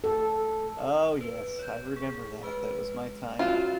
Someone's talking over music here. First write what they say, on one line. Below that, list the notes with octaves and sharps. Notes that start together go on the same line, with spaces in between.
Oh, yes, I remember that, that was my time.
A4
B4
C#5 G6
G#4
G#3 B4 F6
C#4 F4 F#4 C#5